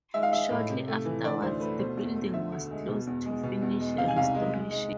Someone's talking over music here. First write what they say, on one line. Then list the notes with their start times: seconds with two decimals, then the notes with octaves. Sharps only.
Shortly afterwards, the building was closed to finish the restoration.
0.14 G#3 E5
0.23 F5
0.33 G#3 E5
0.50 A2
0.70 C3
0.88 A3
1.05 E3
1.24 D3 D5
1.42 D2 C5
1.60 A3 B4
1.79 B2 C5
1.97 E2
2.15 A3
2.34 D3 E5
2.52 D2
2.71 G#3
2.89 B2
3.07 E2
3.25 G#3
3.43 B2
3.62 E2
3.80 G#3
3.98 C3 F5
4.08 G#5
4.17 C2 F5
4.34 G#3
4.54 G#3
4.71 G#3